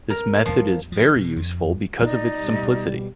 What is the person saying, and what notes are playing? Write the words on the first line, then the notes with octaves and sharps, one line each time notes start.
This method is very useful because of its simplicity.
A#4
F3
F3
B2
F2
D#4 D5
B2 G3